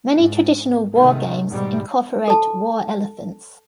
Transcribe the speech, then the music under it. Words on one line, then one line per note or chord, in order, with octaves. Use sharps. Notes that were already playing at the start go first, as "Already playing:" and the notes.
Many traditional war games incorporate war elephants.
G#2
C3 D#3 G#3 A3
G#2 B2 G3
A4 A5